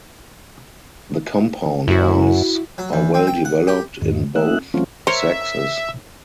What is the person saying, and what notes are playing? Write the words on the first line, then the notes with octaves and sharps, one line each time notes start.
The compound eyes are well developed in both sexes.
F#2 E4 F#4
F#3
E2
C4
G5
F#5
G4
E2 G#2 D#3
A3 A#3 D#4 E5 F#6
E3 F#3 A3 C4 C#4 F4
A#4 C5 C#5 E5